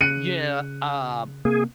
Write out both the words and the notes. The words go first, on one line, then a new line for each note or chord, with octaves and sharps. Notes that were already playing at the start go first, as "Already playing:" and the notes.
Yeah, uh,
C#3 F#6 C#7 D#7
C3 A#3 G#4